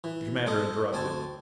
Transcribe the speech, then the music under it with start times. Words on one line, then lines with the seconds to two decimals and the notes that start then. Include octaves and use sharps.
The commander interrupted.
0.04 E3
0.46 G#3 A4 D#5
0.93 D2 C4 G#5 A5